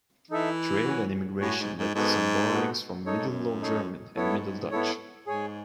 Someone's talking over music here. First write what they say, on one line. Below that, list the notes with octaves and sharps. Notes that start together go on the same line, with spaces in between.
Trade and immigration led to some borrowings from Middle Low German and Middle Dutch.
E3 D#4 A4 E5
F#4 C#5 G#5
A2 F#4 C#5 G#5
G#2
G#2
G#2 B3 F#4 A4
B3 F#4 A4
F#2 D#4 A4 C#5
G#2
F#2
D#4 A4 C#5
G#2 B3 E4 A4 C#5
B3 E4 A4 C#5
G#2 G#4 C#5 G#5